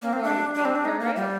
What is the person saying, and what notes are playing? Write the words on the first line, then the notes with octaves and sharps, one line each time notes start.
The more you filter it?
A#3
C4
D4
D4
C4
D4
D#4
A#3
G3